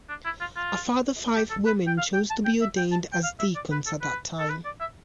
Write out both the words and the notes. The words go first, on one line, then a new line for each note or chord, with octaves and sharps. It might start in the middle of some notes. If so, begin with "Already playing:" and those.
A further five women chose to be ordained as deacons at that time.
D4
E4
F4
F4
G4
A4
B4
G5
F5
G5
A5
G5
E5
G5
A5
G5
F5
E5
D5
B4
A4
B4
A4
B4
D5
E5